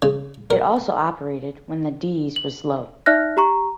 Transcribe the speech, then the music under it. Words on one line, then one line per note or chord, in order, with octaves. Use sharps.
It also operated when the Dieze was low.
C#3
A#4
F#7
D#4 D5 E5 F6 F#6 A#6
G4 A#5 C#6